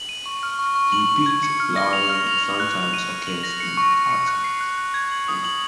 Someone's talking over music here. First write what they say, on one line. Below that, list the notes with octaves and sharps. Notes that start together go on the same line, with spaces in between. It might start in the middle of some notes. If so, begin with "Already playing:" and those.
Repeat flowering sometimes occurs in autumn.
Already playing: F#7
D#7
C#6
F6
C#6
C#6
F#7
C#6
G#6
C#7
F6
A#6
F7
F6
F7
F7
F#6
F7
D#7
D#7
F#7
A#6
C#7
C#6
C#6
C#7
F#6
C7
F#6
F#6
G#6
F#7
D#6
F#7